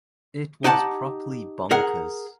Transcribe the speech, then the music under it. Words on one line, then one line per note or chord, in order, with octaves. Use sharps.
It was properly bonkers.
D#4 G4 F#5 A5
G#4 A#4 F#5